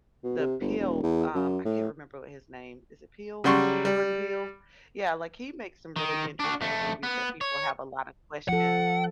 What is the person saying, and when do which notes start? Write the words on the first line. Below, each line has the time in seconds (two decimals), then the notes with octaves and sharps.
the Peele um, I can't remember what his name. Is it Peele? Jordan Peele? Yeah, like, he makes some really interesting movies that people have a lot of questions.
0.24 B2
0.39 C3
0.60 G1
0.78 E1
1.03 E2
1.35 F#2
1.65 A2
3.44 C#3 F#3 G3 C6 C#6
3.85 G3
5.96 D#3
6.40 D4 F#4
6.61 F2 A3
7.03 B3
7.41 C#5
8.49 F3 A4 F#5